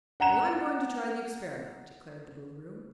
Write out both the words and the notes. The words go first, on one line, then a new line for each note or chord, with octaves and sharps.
"Well, I'm going to try the experiment," declared the Boolooroo.
F#5 A#5 E7